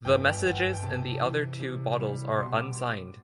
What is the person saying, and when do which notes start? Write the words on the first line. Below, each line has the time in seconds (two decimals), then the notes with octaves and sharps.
The messages in the other two bottles are unsigned.
0.05 G1 G5
0.31 G5
0.44 G1 F#5
0.57 G5
0.74 G5
0.82 C3 A5
1.21 E3
1.60 C3
2.00 G3
2.38 B2 C6
2.57 D6